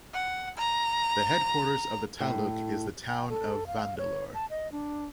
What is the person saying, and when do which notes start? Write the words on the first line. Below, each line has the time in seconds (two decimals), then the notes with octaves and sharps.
The headquarters of the taluk is the town of Vandalur.
0.14 F#5
0.58 A#5
2.20 A2
3.07 G5
3.29 A4
3.67 F5
3.98 C#5
4.34 A5
4.50 D#5
4.72 D4